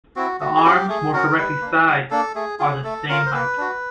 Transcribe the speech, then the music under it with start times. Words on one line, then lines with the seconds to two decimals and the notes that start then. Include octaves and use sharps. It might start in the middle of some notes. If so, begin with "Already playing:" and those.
The arms, more correctly sides, are of the same height.
0.16 C4 E4 F#4
0.40 A3 F#4
0.57 G#4
0.64 C#4 F#4 G4
0.88 A3 G#4
1.13 C#4 F#4 A#4
1.37 G3 B4
1.62 A#3 D4
1.86 G3
2.10 A#3 D4 A4
2.35 A3 G#4
2.59 C#4 F4 G#4
2.84 A3 A4
3.09 C#4 F4 A#4
3.26 C5
3.33 A#3 B4
3.58 D4 F#4